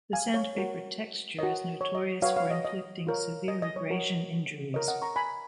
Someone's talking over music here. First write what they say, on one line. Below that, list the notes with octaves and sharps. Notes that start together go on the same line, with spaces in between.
The sandpaper texture is notorious for inflicting severe abrasion injuries.
F5 G#5
C#5 F5
F#4 A#4 C#5
F#4 A#4 C#5 D#5
C#5
D#5
F#4 B4 C#5 F5
C#5 F5
D#5
D#5
F4 A#4 C#5
D#5
D#5
C#5
F#4 A#4 C#5
F4 A#4 C#5 D#5
D#5 F#5
A#5 C#6
G#5 B5